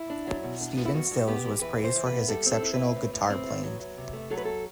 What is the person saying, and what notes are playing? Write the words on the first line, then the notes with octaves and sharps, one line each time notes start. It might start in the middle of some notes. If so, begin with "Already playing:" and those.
Stephen Stills was praised for his exceptional guitar playing.
Already playing: E4
D4
F#3
B2
D4
B3
E4
G2 F#4
G2
B3 G4
E3
E3 B4
E3
C5
E3
B4
B3
G3 A4
C4
A4
E4
B4
C4
A2
A2
C4
A2
F#3
F#3
C3
A3
F#3 A4
B4
A4